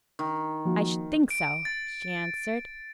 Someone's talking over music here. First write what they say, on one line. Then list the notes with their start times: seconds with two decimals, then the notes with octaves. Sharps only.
"I should think so," she answered.
0.19 D#3
0.65 F3 A#3 F#4
1.30 D7
1.65 A6